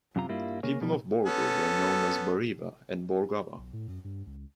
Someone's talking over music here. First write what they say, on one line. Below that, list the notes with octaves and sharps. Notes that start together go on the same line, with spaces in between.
People of Borgu were known as Bariba and Borgawa.
F#2 C3 F4 A#5
G2 G3 A#3 E4 F4
C#3 A#3 G#4 C#5
B2 F3 G3
B3 C#4 A4
B1
A2
F#2
G2
C#2